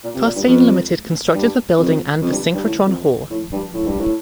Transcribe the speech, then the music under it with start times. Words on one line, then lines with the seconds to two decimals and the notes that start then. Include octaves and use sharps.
Costain Limited constructed the building and the synchrotron hall.
0.04 A#2
0.14 C3
0.25 A#2
0.36 G2
0.47 F2
1.34 G2
1.78 F2
2.21 F2
2.31 G2
2.54 G2
2.64 A2
2.86 F2
3.30 A2
3.52 G2
3.74 A2
3.86 G2
3.98 A2